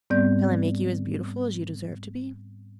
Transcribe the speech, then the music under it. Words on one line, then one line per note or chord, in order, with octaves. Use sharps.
Shall I make you as beautiful as you deserve to be?'
G#2 G3 B3 C4 D5 G6